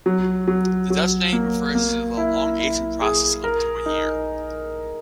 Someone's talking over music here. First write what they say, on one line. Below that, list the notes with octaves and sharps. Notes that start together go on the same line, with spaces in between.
The Dutch name refers to the long aging process, up to a year.
F#3
F#3
F#3
A#3
A#3
E4
E4
G#4
A#4
D#4